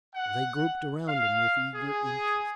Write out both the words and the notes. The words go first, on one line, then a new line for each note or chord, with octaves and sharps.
They grouped around him with eager interest.
F#5
F5
G#4